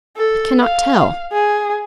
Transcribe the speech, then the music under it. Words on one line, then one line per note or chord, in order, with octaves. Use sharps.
I cannot tell.
A4
F5
G#4